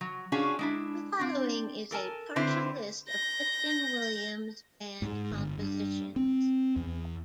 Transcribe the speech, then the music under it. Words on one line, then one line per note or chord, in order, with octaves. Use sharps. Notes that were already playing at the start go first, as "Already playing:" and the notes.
The following is a partial list of Clifton Williams's band compositions.
F#3
C#4 D4 F4 F#4 G#4
G#3 D4 E4
C4 D4
A4 A#4 G#5 A5
D3 C4 E4 B4 C5
G6 A#6
G#2
G1
G2
C4
E2